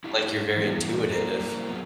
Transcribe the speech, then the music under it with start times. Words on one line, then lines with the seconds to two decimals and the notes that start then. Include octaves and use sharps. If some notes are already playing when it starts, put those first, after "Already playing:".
like you're very intuitive
0.04 E4 F4 G4
0.57 E3 F#3 G3 B3 D#4 E4
1.11 F#3 G3 A#3 E4 A#4 C5
1.69 F#3 B3 F4 G#4